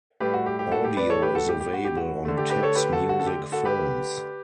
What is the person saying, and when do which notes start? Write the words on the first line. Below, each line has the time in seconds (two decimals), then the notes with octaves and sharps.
Audio is available on Tips Music Films.
0.20 A2 G3 G4 B4
0.33 F#4
0.46 G4
0.59 G4
0.72 F#4 A4
0.84 G4
0.97 B4 D5
1.10 A4 C#5
1.22 G4 B4
1.35 F#4 A4
1.48 G4
1.60 G4
1.73 F#4
1.85 G4
1.97 F#4
2.25 D3 A3
2.37 G4
2.50 G4 B4
2.63 A4 C#5
2.75 G4 B4
2.93 F#4 A4
3.09 F#4
3.20 A4
3.27 G4
3.52 F#4 A4
3.65 G4 B4